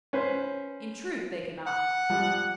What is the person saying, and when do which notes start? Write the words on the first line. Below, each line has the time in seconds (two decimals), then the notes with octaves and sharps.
In truth they cannot.
0.13 C#4 B4 C5
1.66 F#5
2.10 F3 G3